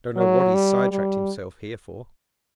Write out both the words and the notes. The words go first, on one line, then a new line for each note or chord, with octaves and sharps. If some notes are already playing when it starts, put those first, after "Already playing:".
Don't know what he's side-tracked himself here for.
F#3
G3
G3